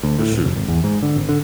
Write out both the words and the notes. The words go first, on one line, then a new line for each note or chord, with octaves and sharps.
For sure.
D2
A2
D1
F1
G#1
E2
G#2
D3
G#1
D3